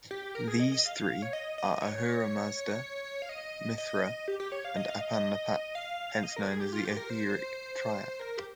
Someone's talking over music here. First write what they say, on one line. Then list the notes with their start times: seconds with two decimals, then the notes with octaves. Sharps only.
These three are Ahura Mazda, Mithra, and Apam Napat-hence known as the "Ahuric triad".
0.11 G4
0.35 A#4
0.48 G#4
0.60 D#5
0.72 D#5
0.85 F5
1.22 C#5
1.33 D#5
1.58 D#5
1.83 C#5
3.22 F5
3.29 D#5
3.78 D#5
4.28 G4
4.40 G4
4.52 C#5
4.65 F5
4.76 D#5
4.89 F5
5.01 D#5
5.13 D#5
5.75 F5
6.23 D#5
6.36 A#4
6.48 G#4
6.61 G4
6.73 F4
6.85 G4
6.97 A#4
7.10 C5
8.20 A#4
8.38 G4